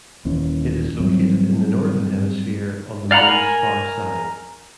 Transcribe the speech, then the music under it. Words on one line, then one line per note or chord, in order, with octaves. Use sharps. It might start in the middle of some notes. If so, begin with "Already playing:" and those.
It is located in the northern hemisphere on the Moon's far side.
D#1 D#2 E3 C#4
G#2 F#3 G3 C4
D5 F5 F#5 A#5 B5
A#4 G#5